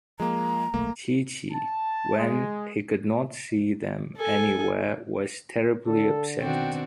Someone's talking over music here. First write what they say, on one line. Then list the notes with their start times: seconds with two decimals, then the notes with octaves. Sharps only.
Chee-Chee, when he could not see them anywhere, was terribly upset.
0.20 F3 G#3 A#3 A#5
0.74 D#1 B1 A3 A#3
1.52 A5
2.17 G#3
4.17 A4 G#5
5.86 D3 A4
6.40 B2 D#3 C4 D4 F#4 G5